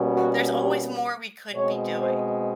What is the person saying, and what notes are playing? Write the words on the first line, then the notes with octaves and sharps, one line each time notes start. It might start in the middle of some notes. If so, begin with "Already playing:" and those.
There's always more we could be doing.
Already playing: B2 G3 A#3 C#4
F#4
G4
B2 G#3 C4 C#5
C5